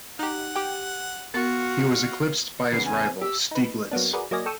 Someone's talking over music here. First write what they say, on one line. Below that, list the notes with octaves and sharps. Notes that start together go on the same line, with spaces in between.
He was eclipsed by his rival, Stieglitz.
D#4 G4 F#5
G4 G5
B3 F4 F#4 A#4 A6
E2 C#3 B4 C7
G#5
G4 E6
D#4 B4
F#3 A#3 B3 D4
F#4 G#4 A#4 B4 D5
F#3 A#3 D5 D#5 G#5 A#6
A4 G5 C#6 D#6 E6